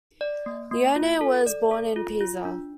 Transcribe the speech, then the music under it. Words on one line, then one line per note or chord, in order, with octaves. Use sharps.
Lione was born in Pisa.
D5
A#3
A#3
F4
A4
D5
A4
F4
F4
D4